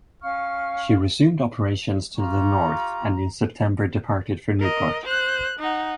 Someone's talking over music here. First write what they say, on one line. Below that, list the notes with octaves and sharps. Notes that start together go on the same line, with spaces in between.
She resumed operations to the north, and in September departed for Newport.
C#4 F5 C#6 F6
F4 G4 A#5 C#6
A#4 D#5
C5 F#6
D#4 F#5